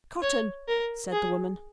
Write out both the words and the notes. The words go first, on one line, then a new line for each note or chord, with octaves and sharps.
"Cotton," said the woman.
C#5
A#4
G#4